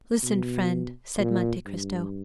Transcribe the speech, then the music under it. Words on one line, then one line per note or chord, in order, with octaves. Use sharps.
"Listen, friend," said Monte Cristo.
B2
A#2
G2